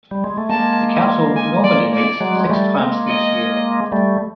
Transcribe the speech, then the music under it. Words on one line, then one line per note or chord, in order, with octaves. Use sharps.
The Council normally meets six times each year.
G3
G#3
A3
G#3 A#3 A5
G#5
D5
D5
F#3 G#3
G#3
G3 A3
G#3 A#3
D#5
G3 A3